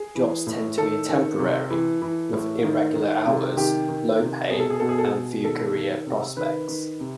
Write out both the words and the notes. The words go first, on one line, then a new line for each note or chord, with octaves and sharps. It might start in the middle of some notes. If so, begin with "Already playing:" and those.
Jobs tend to be temporary, with irregular hours, low pay and few career prospects.
Already playing: G#4
E3
A2
D#3 A4
D#3
C3
E3
E3
A2
D#3
D#3
C3
D#3 G4
D#3
C3
B2 G#4
A4
G#4
B2 A4
G#4
A4
G#4
B2
D#3 A4
D#3
C3
D#3 B4
D#3
C3